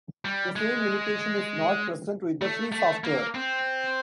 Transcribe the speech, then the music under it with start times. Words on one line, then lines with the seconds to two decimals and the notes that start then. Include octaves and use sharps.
The same limitation is not present with the "free" software.
0.25 G3
0.56 G#3
2.42 A3
2.72 A3
3.04 A#3
3.35 C4